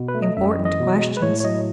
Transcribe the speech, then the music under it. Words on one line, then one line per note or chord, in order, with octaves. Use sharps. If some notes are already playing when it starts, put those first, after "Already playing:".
Important questions!
Already playing: B2
B4
A3
D#5
F#2 E5
D#5
E3
D#5
B2
G#3
B4
A2 C#5
C#5
F#3 D#5